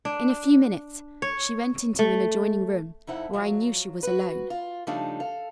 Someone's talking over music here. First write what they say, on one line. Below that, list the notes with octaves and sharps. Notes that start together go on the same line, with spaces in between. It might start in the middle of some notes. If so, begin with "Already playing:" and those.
In a few minutes she went into an adjoining room where I knew she was alone.
D4
C#5
A3
F2 D#4 E4 F#5
F3 F#3
F#4 B4
F4
C#3 F3 G3 A3 D4 D#4
A4 F5